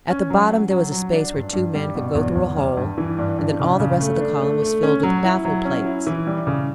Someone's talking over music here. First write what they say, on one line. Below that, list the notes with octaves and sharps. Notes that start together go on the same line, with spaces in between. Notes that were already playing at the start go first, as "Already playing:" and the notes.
At the bottom there was a space where two men could go through a hole; and then all the rest of the column was filled with baffle plates.
C#4
F#3
C#4
F#3
F#3
D4
G2
G2
G3
B2
E2
E2
G3
G2
E3
G2
G2
C#3
C#3
A3
D4
A3
A3
C#4
F#3
E4
F#3
C#4
E4
E3
G3
C#3